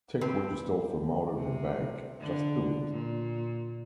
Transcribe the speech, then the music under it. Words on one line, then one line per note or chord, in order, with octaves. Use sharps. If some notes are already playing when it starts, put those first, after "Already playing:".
Take what you stole from out of your bag. Just do it.
G2 C4 B4
C3
D3
A#2